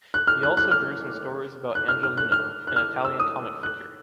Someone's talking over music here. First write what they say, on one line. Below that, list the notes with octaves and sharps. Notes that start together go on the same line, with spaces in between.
He also drew some stories about Angelino, an Italian comic figure.
F#6
F6
F#6
F#6
F6
F#6
F6
F6
F#6
F6
F#6
F6
E6
D#6
F#6